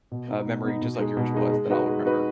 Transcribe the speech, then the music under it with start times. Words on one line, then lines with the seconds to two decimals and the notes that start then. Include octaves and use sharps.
uh, memory just like yours was that I'll remember.
0.12 B2
0.28 B3 D#4
0.46 B2
0.64 B3 D#4
0.82 B2
0.99 G#3 D#4 G#4
1.17 B2
1.34 G#3 D#4 G#4
1.52 G#3
1.70 D#4 F#4 B4
1.87 G#3
2.05 D#4 F#4 B4